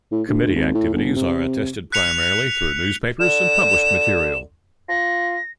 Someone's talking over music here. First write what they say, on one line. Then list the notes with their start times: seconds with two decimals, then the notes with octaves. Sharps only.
Committee activities are attested primarily through newspapers and published material.
0.11 A2
0.28 D2
0.55 G#1
0.75 A2
0.94 G1
1.16 C3
1.92 F#6 B6 C#7 F7
3.20 D3 E7
4.89 F4 A#6